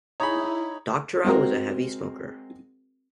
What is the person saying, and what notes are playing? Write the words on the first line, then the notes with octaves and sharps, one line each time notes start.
Doctorow was a heavy smoker.
D#4 E4 G#4 C#5 A#5 B5
G#3 C4 F#4 A#4